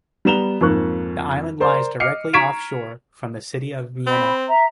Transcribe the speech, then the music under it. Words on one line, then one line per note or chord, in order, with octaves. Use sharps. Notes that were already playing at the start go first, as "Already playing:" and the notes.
The island lies directly offshore from the city of Vienna.
G3 B3 A#5 E7 F7 G7
F2 G#2 A#3 C#6 F#6
A#4 C5 D5 C6
D#5 D6 F6 C7 C#7
A#5 C#6 G#6 B6 D7 E7
C4 B5
E5 A#5